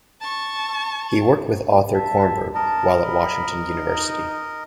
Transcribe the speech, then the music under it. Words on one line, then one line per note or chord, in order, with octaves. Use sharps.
He worked with Arthur Kornberg, while at Washington University.
A5 C#6
E5 A5
A#4 D#5 A5
B5
D#4